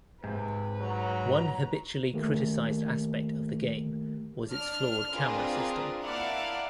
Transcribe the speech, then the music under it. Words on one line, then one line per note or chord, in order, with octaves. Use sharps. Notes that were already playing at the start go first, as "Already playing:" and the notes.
One habitually-criticized aspect of the game was its flawed camera system.
G#2 C3 B4
F#3 A#5
D#3 A3 A#3 G4 A#4
D4 F6
C4 D4 F4 G#4 A#4 B4
A#3 E4 D5 F5 F#5 A5